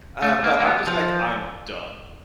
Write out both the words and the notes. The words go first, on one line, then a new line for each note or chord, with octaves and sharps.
Uh, but I'm just like, "I'm done,"
A3
A#3
A#3
B3
F3